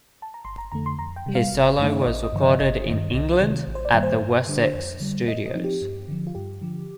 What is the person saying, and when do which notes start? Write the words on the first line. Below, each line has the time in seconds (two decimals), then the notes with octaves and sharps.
His solo was recorded in England at the Wessex Studios.
0.22 A5
0.34 A#5
0.45 G1 C6
0.58 A#5
0.72 F2 D3 A3 A#5
0.86 C6
0.99 F2 A#5
1.16 G5
1.26 C3 G3
1.35 F5
1.53 G1
1.79 G2 D#3 A3 D#4
2.01 D5
2.06 A1 D#5
2.23 D#5
2.32 G2 D3 F3
2.41 D#5
2.60 G1 D#5
2.86 D#3
2.91 G2
3.13 C2
3.40 C3 D#3 G3
3.67 A1
3.75 C5
3.85 D5
3.93 G2 D#3 G3 A#3
4.03 C5
4.20 G2
4.47 D3 G3 D4
4.74 F2
5.00 D3 G3
5.27 A2 D#5
5.46 D#5
5.54 F3 C4 D#4
5.64 G4
5.82 G2
6.08 D3 F3
6.27 F4
6.35 G2 G4
6.61 D3 F3